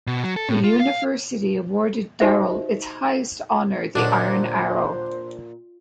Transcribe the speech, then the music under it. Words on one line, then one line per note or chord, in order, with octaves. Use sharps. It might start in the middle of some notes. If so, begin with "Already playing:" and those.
The University awarded Daryl its highest honor, the Iron Arrow.
B2
F#3
A4
A2
F4
F5
D#4 F#4 G4 C5 D#5 E5
D#2 A#2 D3 F#3 D4 C5 D5